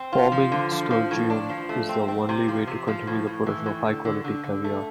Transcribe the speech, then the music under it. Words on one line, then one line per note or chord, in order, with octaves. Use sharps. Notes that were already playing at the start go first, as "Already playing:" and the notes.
Farming sturgeon is the only way to continue the production of high quality caviar.
Already playing: C4
F4
F3
D3
F3
F3
A2
D4
F3
A3
C4
C4
C3
F3
C3
F3
A2
A2
E3
A2
D3
D3
D3
D3
A3